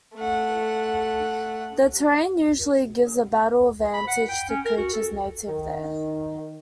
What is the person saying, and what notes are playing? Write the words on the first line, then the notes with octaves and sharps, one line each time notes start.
The terrain usually gives a battle advantage to creatures native there.
A3 F#5
B5
F#5
G5
C#4
A#4
F#4
A4
D#3